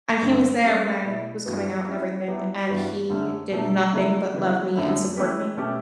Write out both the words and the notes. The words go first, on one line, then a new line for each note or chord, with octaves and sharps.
and he was there when I was coming out and everything, and he did nothing but love me and support me.
G2 D3 A3
G3 C#4 G4 D5
B2 A3 E4
G2 E3 B3 F#4
G3 C#4 E4
F#3 B3 E4 G4
G2 E3 B3 F#4
F#2 D3 A3 C#4
B2 F#3 A3 D4
C#3 F#3 A3 E4 A4
C#3 E3 B3
F#2 D3 A3 E4
E3 A3 C#4 G4 B4
B2 A3 C#4 G4